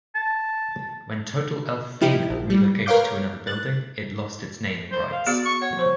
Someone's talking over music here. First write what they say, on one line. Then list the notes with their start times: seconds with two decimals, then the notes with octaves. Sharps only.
When Total Elf Fina relocated to another building, it lost its naming rights.
0.15 A5
2.01 F3 D#4 E4 G4
2.30 A#1
2.50 G3
2.86 A#4 B4 C#5 F5 D6 G6
3.47 F#6 A6
4.92 C5
5.12 F5
5.27 B3 F#4 G#4 D5
5.46 C#6
5.62 C#5 F#5
5.77 F3 C5 C#6